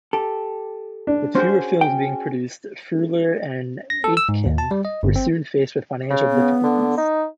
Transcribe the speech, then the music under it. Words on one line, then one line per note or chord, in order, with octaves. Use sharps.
With fewer films being produced, Freuler and Aitken were soon faced with financial difficulties.
G4 A4
D4
C#4 F#4 G#4 C5
G5
A#6
A4
E6
G#2
D#2
A5
G3
D#5
G1
C4
C#3
B3
D3
D#4